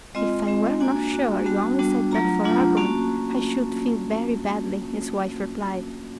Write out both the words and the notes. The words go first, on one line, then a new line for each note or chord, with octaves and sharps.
"If I were not sure you only said that for argument I should feel very badly," his wife replied.
G#3 C4 F4 D#5
G#3 C4 F4
A#3 D4 F#4 G#5
A#3 D4 F#4
G3 B3 D4 F#4 A5
G3 B3 D4 F#4
F#3 A3 D4 F4 A#5
F#3 A3 D4 F4
A#3 C#4 F#4 A5